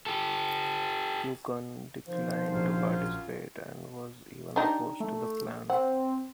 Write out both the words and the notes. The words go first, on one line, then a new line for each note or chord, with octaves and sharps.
Ukon declined to participate and was even opposed to the plan.
G4 A4
C3 D#3 F3 C5
A#1 F#2 F4
D4 D#4 G4
A3
C4 F#5